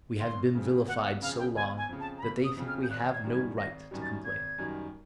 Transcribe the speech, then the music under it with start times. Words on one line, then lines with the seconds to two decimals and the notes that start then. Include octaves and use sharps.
We have been vilified so long, that they think we have no right to complain.
0.20 G1 C6
0.55 F2 C#3
0.88 G1 F#5
1.04 F#5
1.22 C#3 F5
1.25 F2
1.38 G5
1.55 G1 G#5
1.77 G#5
1.89 F2 C#3
2.00 A5
2.18 A#5
2.22 G1 B5
2.44 D#6
2.56 F2 C#3
2.68 F6
2.83 G6
2.90 G#1 F#6
3.13 G#6
3.24 F#2 D#3 G3
3.34 G#6
3.58 G#1 A#6
3.91 F#2 D#3 G3
4.02 A6
4.25 G#1 G#6
4.58 F#2 D#3 G3